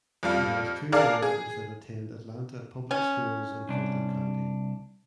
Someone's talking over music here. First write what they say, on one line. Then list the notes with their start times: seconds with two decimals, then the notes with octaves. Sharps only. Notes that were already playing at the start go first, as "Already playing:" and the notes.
She has two daughters that attend Atlanta Public Schools in Fulton County.
0.23 F2 G3 F4
0.92 D4 G#4 A#4 D5 F5
1.22 G#4
2.91 C#4
3.69 C2 D4